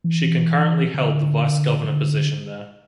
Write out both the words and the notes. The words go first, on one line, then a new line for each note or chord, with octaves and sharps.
She concurrently held the vice governor position there.
E3
D3
D3